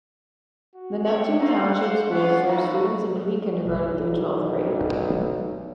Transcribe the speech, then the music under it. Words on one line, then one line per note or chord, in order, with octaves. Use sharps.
The Neptune Township Schools serve students in pre-kindergarten through twelfth grade.
F#4
D3 C4 C#5 D5
A3 C4 F4 F#5
C5
C#4 D4 F4
A2 A3 D#4
B1 F#2 G3 D#4